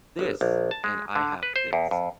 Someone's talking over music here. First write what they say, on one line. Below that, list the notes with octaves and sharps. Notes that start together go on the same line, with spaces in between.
this, and I have this.
G1
A#1
A5
G#3
D3
B4
C5
E2
F2